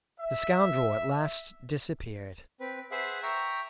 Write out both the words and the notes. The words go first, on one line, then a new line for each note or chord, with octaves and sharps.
The scoundrel at last disappeared.
E5
C4 B4
G#4 B4 C5 E5 F#5
E5 G5 A#5 C#6